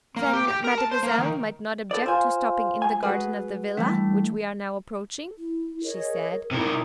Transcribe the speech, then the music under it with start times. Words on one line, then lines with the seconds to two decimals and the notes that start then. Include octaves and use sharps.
"Then mademoiselle might not object to stopping in the garden of the villa which we are now approaching," she said.
0.16 A#3
0.33 G4
0.48 G4
0.64 A#4
0.78 A5
0.91 C5
1.03 A#3
1.18 D#3
1.91 A4 B4 D5
2.06 F4 C5 F5 G#5 C6
2.82 G#3 G#5
3.03 F#4 G#4 B4
3.77 D3 E3 G3 A3
5.38 E4
5.83 G#4 A#4 C#5 D#5
6.51 C3 D#4 E4 A#4